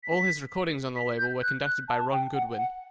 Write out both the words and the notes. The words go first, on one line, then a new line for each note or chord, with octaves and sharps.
All his recordings on the label were conducted by Ron Goodwin.
B6
B6
G6
F#6
F#6
A5
G5
F#5
F#5